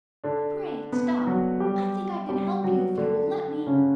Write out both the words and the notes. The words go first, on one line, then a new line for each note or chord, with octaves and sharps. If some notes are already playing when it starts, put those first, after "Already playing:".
"Pray, stop; I think I can help you if you will let me."
D3 D4
B3
F#3 F#4
G3 G4
G3 G4
F#3 F#4
D3 D4
C#3 C#4